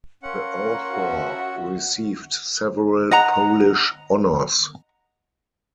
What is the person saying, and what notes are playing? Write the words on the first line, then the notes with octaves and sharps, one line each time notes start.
The author received several Polish honours.
C#4 A#4 F5 F#5 C6
F#4 E5
D#5 F#5 A#5